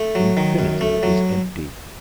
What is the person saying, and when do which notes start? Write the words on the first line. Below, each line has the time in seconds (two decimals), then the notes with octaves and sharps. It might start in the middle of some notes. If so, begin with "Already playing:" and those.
Infinity is empty.
Already playing: A3
0.15 F#3
0.37 D#3
0.59 F#2
0.81 A3
1.03 F#3